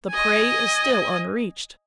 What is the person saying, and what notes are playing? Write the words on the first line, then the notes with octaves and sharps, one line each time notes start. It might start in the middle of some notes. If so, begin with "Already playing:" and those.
The prey is still unreached.
D#5 G#5